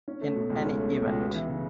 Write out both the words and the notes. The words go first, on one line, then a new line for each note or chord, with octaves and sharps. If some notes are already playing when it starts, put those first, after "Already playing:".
In any event.
C#4
A3
B2
C#2
C#4
A3
B2
C#2
B3
E3
C#3